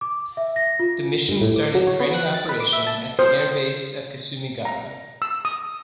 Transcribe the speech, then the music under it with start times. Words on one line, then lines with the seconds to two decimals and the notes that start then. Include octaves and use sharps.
The Mission started training operation at the air base of Kasumigaura.
0.01 D6
0.37 E5
0.56 A#6
0.80 F4
1.29 G2
1.41 A2
1.56 D6
1.75 F#3
1.87 C#5
2.00 B3
2.14 F#6
2.34 A6
2.49 B4
2.60 D6
2.73 E5
2.87 A5
3.19 C5
4.65 A#5
5.22 E6
5.45 D#6